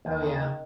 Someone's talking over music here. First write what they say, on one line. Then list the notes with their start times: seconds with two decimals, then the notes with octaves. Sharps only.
Oh, yeah.
0.05 D#2
0.23 D#3
0.40 D#3